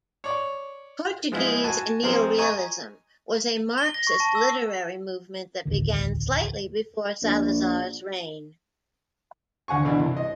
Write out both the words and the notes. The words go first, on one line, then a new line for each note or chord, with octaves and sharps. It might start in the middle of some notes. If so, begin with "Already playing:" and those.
Portuguese neorealism was a marxist literary movement that began slightly before Salazar's reign.
C#5 D5
F3 G#3 B3 E4 F4 G#4
F#4 G#5 A5
F3 G3 C4 G#4 A#4 C5
D#5 G#5 A#5 C#6
G7
A#6
C#6
A5
E6
E1 A1 D2 D#3
A#1
D2 F#5 G#5 C#6
B2 D3 E3 D4
C2
D#5